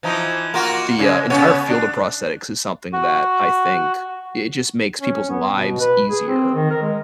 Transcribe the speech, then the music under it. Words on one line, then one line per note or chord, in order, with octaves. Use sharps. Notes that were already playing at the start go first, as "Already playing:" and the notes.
the, uh, entire field of prosthetics is something that I think it just makes people's lives easier,
E3 F3 D#4
A#3 F4 F#4
C#3 G#3
C#3 B3 C#5
D4
F#4
C#4
B3
B2
B4
G#4
C4
D#3
A#4
G#3